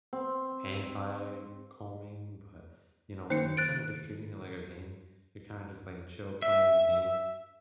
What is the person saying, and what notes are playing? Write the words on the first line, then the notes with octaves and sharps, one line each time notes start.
anti-calming, but, you know, when you're kinda just treating it like a game, you're kinda just, like, chill playing the game,
C4
D#3 A#3 D#4 C5 C#7
F#6 A6 D7
E5